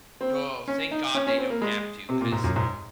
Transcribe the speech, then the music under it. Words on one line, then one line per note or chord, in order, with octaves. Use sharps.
Duh, thank God they don't have to 'cause
C4
C#4
D#4
C#4
C#4
C4
A#3
G#3
C3
A#2
G#2
F#2
G#2